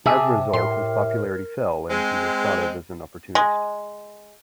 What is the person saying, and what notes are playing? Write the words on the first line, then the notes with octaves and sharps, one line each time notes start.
As a result, his popularity fell and he was thought of as an opportunist.
C3 G4 G#4 E5 A5
A2 A#4 C6
G#3 C4
G#3